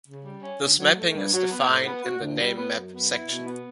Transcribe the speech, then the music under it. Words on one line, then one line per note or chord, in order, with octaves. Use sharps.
This mapping is defined in the name map section.
C#3
G3
C#4
D2
F#3
A3
G2
F#3
B3
A2
B3
F#4
D2
G3
B3
F#2
B3
E4
B2
B3